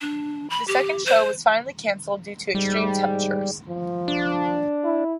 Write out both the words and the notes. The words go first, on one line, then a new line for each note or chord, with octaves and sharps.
The second show was finally canceled due to extreme temperatures.
D4
B5
G4
C5
G#2 G3
F3
D4
E4